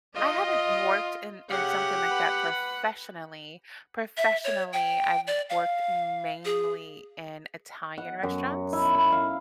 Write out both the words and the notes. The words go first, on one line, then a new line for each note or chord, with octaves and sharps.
I haven't worked in in something like that professionally. Professionally, I've worked, mainly, in Italian restaurants,
F4 D#5
C#3 G4 F#5
B4
E5
C#5
G5
D5
F5
G#4
F#5
F#2
E4
B5
F5